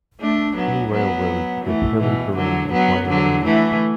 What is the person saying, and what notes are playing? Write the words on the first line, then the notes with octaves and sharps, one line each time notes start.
Few railroads with hilly terrain acquired any.
A3 D4
F#3 B3
F#3 B3
E3 A3
B2 E3
D3 F#3
F#3 B3
D3 F#3
E3 A3